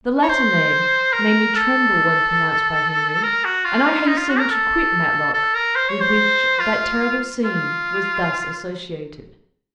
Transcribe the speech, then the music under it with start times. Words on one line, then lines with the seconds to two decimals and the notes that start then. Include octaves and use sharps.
The latter name made me tremble when pronounced by Henry, and I hastened to quit Matlock, with which that terrible scene was thus associated.
0.22 C#5
0.29 C5
1.13 A#4
1.55 A4
3.23 A#4
3.44 F#4
3.65 F4
4.07 D#4
4.18 F4
4.29 F#4
4.39 A#4
4.50 A4
5.34 A4
5.54 A#4
5.76 C5
5.89 C#5
6.01 C5
6.60 F4
7.44 F4